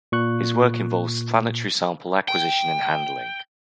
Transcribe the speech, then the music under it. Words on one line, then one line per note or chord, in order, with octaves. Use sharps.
His work involves planetary sample acquisition and handling.
A#2 C#6 F#6
G5